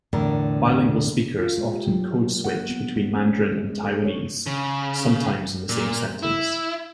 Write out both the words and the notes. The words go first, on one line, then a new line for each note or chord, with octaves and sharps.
Bilingual speakers often code-switch between Mandarin and Taiwanese, sometimes in the same sentence.
E2 A2 D3 B3 A#4
F4
G#3
G4
F#3
A#3
F#5
B3
G#3
C#4
G#3
A4
C#5
C#3
A#2
E4